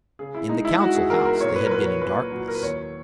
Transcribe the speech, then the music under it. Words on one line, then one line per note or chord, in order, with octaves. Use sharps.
In the Council House they had been in darkness.
C#3 G#4
E4
G#3 D#4
E4
G#3 F#4
G#4
E2 A#4
A#4
A#2 C#5
B4
A#4
F#3 B4
C#5
A#2 B4
F#3
A#4
B4
D#2 C#5